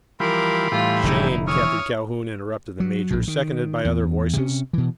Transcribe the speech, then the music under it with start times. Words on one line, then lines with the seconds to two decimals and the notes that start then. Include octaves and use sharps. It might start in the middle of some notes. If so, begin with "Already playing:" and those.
"Shame, Captain Calhoun!" interrupted the major, seconded by other voices.
0.20 E3 F3 G3 A#4 B5 C6 D6
0.72 A2 E3 G3 F4
1.03 F1 D3 D#4 E4
1.47 E3 C#5 C#6 D#6 F6
2.80 F#3
3.11 A#1 A2
3.28 D#3
3.85 E2
4.36 C3 C#4
4.73 B2 E3